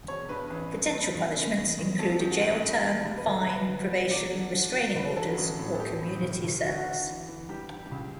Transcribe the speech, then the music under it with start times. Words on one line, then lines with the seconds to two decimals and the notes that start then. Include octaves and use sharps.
Potential punishments include a jail term, fine, probation, restraining orders, or community service.
0.08 E1 C#5
0.29 G2 B4
0.50 A1
0.72 G2
0.93 G2
1.15 E2
1.36 C#3
1.57 E2
1.78 E2
1.99 A1 A4
2.10 A4
2.20 A1 G4
2.30 F#4
2.41 G2 G4
2.62 G2
2.84 E1
3.05 G3
3.18 B4
3.26 D2 A4
3.47 D2 B4
3.68 F#3
3.90 E1
4.11 F#3 D5
4.32 D3
4.53 D3
4.74 F#3
4.95 D2 B4
5.16 F#3 A4
5.38 A1
5.59 A2
5.75 A4
5.80 A1 G4
6.01 A2
6.22 D2
6.44 D2
6.65 D3 F#4
6.87 D3
7.07 E3
7.28 E3
7.49 G3 G4
7.71 G3
7.91 C#2